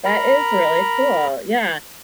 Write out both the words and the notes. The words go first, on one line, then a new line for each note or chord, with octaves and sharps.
That is really cool, yeah.
A#4 A#5 B5